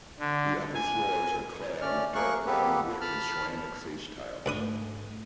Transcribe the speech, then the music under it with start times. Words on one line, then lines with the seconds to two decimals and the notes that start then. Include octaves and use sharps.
The upper floors are clad with dark brown brick and ceramic face tiles.
0.19 D3
0.75 G#5
1.81 A3 C#4 D5 F6
2.15 A3 A#3 G#4 A#4 C#6 F#6
2.47 A#3 B3 G4 A4 B4
3.01 A5 B5 F6
4.46 D2 G#2 A3 B4 D#6